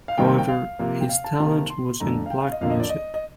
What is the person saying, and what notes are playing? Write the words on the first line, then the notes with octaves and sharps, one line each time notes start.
However, his talent was in black music.
F5
C3 D#3 G3 A#3 G5
G5
G5
F5
C3 F3 A#3
G5
F5
A5
C3 D#3 A#3 A5
C6
F2 D3 A3 A#5
F5
G5
F5
D#5
F2 D3 F3 A#3 F5
D#5
D5
D#5
D#5